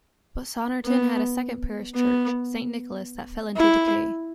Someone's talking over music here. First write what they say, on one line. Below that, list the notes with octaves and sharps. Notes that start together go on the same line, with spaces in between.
But Saunderton had a second parish church, Saint Nicholas, that fell into decay.
B3
B3
E4